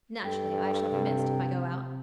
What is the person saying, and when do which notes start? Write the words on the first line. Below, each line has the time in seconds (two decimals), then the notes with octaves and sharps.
Naturally I shall be missed, if I go out.
0.24 G2 A4 G5
0.93 C3